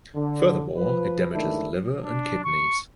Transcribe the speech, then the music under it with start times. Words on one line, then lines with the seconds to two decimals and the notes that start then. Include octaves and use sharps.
Furthermore it damages liver and kidneys.
0.15 D3
0.77 F3 B4
1.32 G#2 D#3 E3 A3 D4 E4
2.04 D4
2.44 C#6